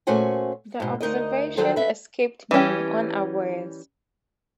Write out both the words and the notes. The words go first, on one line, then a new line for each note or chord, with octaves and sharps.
The observation escaped me unawares.
A#2 A3 C#4 F#4 C5 G#5
G#2 B2
D2 D#4 A#4 D#5
D#3 F#3 G3 A4 C5
B4 E5
E3 G3 C#4 G4